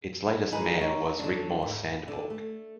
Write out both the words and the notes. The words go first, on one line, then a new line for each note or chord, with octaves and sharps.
Its latest mayor was Rigmor Sandborg.
D#3 G#3 E4 G#4 B4
D#4 C#5
D3 F#3 D4
D2 G#2
D3
A3